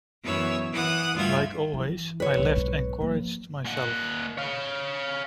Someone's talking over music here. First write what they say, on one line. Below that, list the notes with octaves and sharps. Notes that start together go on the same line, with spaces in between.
Like always, I left encouraged myself.
F#2 E3 B3 C#5 E5 E6
E3 F#5 D#6 F#6
D2 G2 G3 F4 E5 G#6
E3
B4 C#5
B1 G#2
F3 A#3
A#2 F#5
C#5 F5